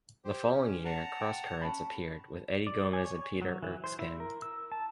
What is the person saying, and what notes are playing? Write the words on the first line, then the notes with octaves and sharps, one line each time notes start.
The following year "Cross Currents" appeared, with Eddie Gomez and Peter Erskine.
G4 C5
C#4
F#5 A5 A#5
G5
C#4 A5 B5
D5
G#5
C#5
F#3
E3
C5
E4
A#4
E6
A5